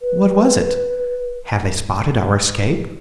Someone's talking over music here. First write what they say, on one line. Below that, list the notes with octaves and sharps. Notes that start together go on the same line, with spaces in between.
What was it? Had they spotted our escape?
B4